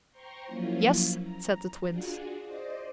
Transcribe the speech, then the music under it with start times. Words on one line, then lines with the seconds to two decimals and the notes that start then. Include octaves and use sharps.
"Yes," said the Twins.
0.11 C5 G5 A#5 C6 C#6
0.46 F3 F#3 A#3 C#4 E4 F4
1.19 A#5
1.86 D4 F4 F#4 G#4
2.44 C5 D5 D#5